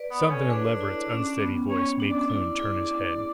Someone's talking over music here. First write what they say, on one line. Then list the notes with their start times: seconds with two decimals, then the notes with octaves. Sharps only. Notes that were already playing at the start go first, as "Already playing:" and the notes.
Something in Leverett's unsteady voice made Kloon turn his head.
Already playing: B4 D5
0.10 B3
0.20 A4 C#5
0.30 C#4
0.50 D4 G#4 B4
0.81 E4
1.09 C#4
1.40 B3
1.69 C#4 C#5
2.00 D4
2.10 D5
2.30 E4 D5
2.59 E4 G#4